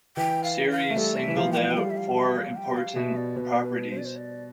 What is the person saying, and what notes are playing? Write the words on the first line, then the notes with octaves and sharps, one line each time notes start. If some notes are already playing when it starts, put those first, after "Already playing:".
Serre singled out four important properties.
E3 G5
F5
F5
A3
G3 A4
E5
E3
F3 F5
G5
F5
G5
G3 F5
E5
F5
E5
F5
G5
F5
B2 E5
D5
B2 B4
B4
C5
D5
C5
D5